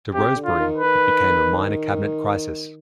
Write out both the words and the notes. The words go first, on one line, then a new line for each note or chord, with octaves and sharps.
To Rosebery it became a minor cabinet crisis.
C3 G4
C3
D3
F4
D#3
B4
D#3